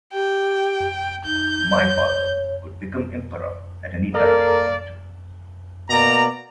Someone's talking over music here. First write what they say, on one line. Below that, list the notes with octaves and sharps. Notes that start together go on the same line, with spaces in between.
My father could become emperor at any time if he wanted to.
G4 G5
D#4 G6
C#5
A#3 A4 A#4 D5 A#5
B2 A#3 D5 A#5